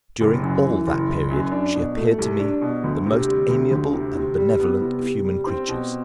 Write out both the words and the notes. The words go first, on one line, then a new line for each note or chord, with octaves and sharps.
During all that period she appeared to me the most amiable and benevolent of human creatures.
F#1
F#2
E3
F#1
F#1
F#2
D4
B2
A3
C2
D4
B2
D2
C3
G3
D2
D2
C3
C3
G3
B3
C3
C3
G3
C4
B2